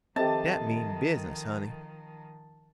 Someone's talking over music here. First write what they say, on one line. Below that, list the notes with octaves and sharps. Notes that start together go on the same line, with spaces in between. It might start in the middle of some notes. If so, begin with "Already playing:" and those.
Dat mean business, honey.
D#3 F3 C4 G4 A4 D#5 E5 A5